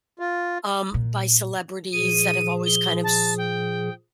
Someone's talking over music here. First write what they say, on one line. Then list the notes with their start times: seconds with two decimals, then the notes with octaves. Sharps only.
um, by celebrities that have always kind of s
0.19 F4
0.94 A#2
1.93 A#2 F3 G#4 D#7
2.66 G7
3.04 A5
3.38 G5